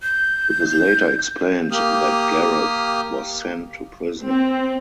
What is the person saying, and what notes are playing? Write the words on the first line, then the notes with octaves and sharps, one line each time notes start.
It is later explained that Gareth was sent to prison.
G6
A#3 G4 D#6 F6
C4